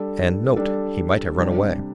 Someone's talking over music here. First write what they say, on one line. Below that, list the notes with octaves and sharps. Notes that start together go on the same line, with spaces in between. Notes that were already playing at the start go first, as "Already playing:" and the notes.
And, note, he might have run away.
Already playing: G3 D4 A4
G3 D4 A4
C3 G3 D4 G4